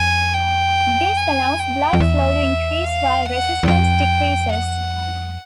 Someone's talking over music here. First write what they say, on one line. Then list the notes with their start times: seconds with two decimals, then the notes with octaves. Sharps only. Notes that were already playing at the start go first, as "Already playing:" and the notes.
This allows blood flow to increase while resistance decreases.
Already playing: F2 G#5
0.34 G5
1.17 G#5
1.59 G5
1.93 F2
2.00 E2 E5
2.85 F5
3.26 F#5
3.63 E2
3.67 F2 G5
4.52 F#5